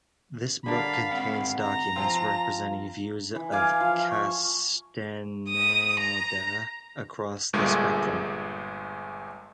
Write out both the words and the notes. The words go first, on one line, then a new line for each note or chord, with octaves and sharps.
This book contains documents representing views of Castaneda across the spectrum.
D3 A#3 D4 F5 B5
G#2 C4 F#5
A#5
F3 C4 F4
E3
F5 G#5 D6
F3
C#6
D#6
A#5
G1 G2 A#2 G#3 A3 G#4